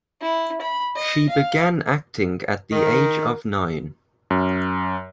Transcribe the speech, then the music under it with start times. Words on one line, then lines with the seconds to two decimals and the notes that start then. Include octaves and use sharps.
She began acting at the age of nine.
0.21 E4
0.61 B5
0.95 D#5
1.29 F5
2.72 D#3 A#4
4.30 F#2